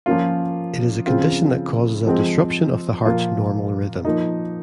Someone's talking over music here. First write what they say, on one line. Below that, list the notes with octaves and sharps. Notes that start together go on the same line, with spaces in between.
It is a condition that causes a disruption of the heart's normal rhythm.
F3 A#3 C#4 F4
C#3 F3 C4 F4
F3 G#3 C4
A#2 F3 A#3 F4
F3 A#3 D#4